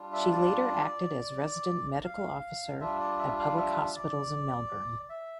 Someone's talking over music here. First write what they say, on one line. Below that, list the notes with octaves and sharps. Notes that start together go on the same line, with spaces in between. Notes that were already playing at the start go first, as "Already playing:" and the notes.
She later acted as resident medical officer at public hospitals in Melbourne.
Already playing: G3 D4 F4
E5
D5
F5
G3 D4 F4 E5
D5
E5
F5
E5
D5
E5